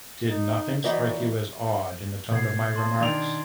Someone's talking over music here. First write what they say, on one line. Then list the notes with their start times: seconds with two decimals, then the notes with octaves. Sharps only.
Did nothing strike you as odd in the tone of my remarks?
0.29 D#4
0.84 E3 F#3 C#4 D#4 D5 D#5
2.31 B2 G6 G#6 C7
2.74 A5 C6 A6
3.00 D#3 D4 A6 D7 F7